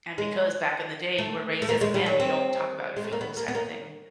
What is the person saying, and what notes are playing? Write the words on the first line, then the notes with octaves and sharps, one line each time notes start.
And because, back in the day, you were raised as a man, you don't talk about your feelings type of thing
G#3
A3
A3
A#3
G#3
G3
F#3
C4
G#3
A3
A#3
B3
A#3
B3
A#3